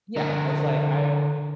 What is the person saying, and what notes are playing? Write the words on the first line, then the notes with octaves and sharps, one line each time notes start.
Yeah as, like, I
D3 A#4